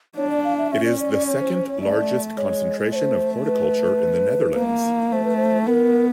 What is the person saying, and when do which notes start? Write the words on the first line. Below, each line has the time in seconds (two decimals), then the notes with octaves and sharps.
It is the second largest concentration of horticulture in the Netherlands.
0.17 D4 C#5
0.30 D5
0.44 F5
0.58 E5
0.71 C#4 E5
0.85 D5
1.00 D5
1.14 D5
1.27 C#5
1.40 C5
1.55 C5
1.69 C#5
1.82 A3 D5
2.37 G#3 C#5
2.92 A3 C#5
2.96 C5
3.47 B4
4.57 A#3
5.12 A3 C5
5.24 B4
5.37 C5
5.67 B3 A#4